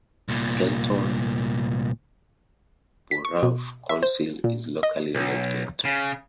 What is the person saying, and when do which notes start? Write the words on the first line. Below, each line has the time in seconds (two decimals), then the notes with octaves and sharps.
Galeton Borough Council is locally elected.
0.28 C2 A#2
3.11 B6
3.25 C#6
3.43 B2
3.89 E5
4.03 C5
4.44 A#2
4.83 D#5
5.15 B1
5.85 C#3